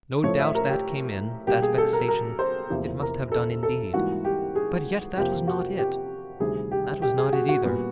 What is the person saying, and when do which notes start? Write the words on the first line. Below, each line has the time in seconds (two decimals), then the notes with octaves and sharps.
No doubt that came in, that vexation, it must have done indeed; but yet that was not it, that was not it either.
0.24 A2 F3 A3 C#5
0.39 E5
0.55 A#4
0.69 G4
1.47 B2 G3 A#3 G4
1.62 G#4
1.78 A4
1.93 A#4
2.08 A#4
2.39 C5
2.70 E2 C3 F3 A#3
3.02 A#4
3.32 A4
3.63 A4
3.94 G#2 E3 G3 A#3 F#4
4.25 G4
4.56 G#4
5.17 F2 C3 F3 A#3 G4
5.47 F#4
5.78 G4
6.40 D2 C3 D#3 G3 G#4
6.71 G4
7.02 G4
7.18 G#4
7.33 F#4
7.49 F#4
7.64 A#2 G3 B3